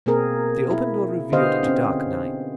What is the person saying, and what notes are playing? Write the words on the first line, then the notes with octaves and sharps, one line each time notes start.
The open door revealed the dark night.
B2 A#3 C4 G#4 A#4
E4
D3 B3 G4 C5 D#5 F5
C4 C#4